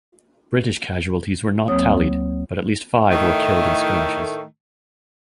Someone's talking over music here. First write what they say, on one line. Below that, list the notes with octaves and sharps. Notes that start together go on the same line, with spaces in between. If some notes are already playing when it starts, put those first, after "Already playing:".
British casualties were not tallied, but at least five were killed in skirmishes.
D2 F#3 A#3 C4 C#5 D#6
A2 D#3 A3